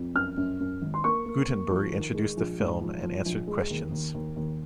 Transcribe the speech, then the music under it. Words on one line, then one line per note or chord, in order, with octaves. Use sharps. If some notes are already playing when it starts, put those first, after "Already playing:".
Guttenberg introduced the film and answered questions.
Already playing: F2
F#2 F6
F#2
F#2
G#1
C6
A#3 C#6
A#3
A#3
F3
D#3
G#3
A#1
G#2
F3
F3
A#1
G#3
D#2
D#2
D#2
D#2